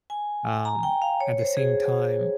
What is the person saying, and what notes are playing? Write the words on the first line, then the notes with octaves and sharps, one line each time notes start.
um, at the same time,
G#5
A#5
G5
F5
C#5
C5
G#4